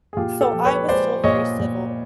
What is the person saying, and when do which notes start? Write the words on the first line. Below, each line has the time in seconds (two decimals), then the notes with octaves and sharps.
So, I was still very civil.
0.13 G#4
0.17 A#2 F4 G4
0.41 G4 A4
0.53 F3
0.65 B4 C#5
0.88 G#3 C5 D5
1.24 A#2 C#5 D#5
1.60 A#2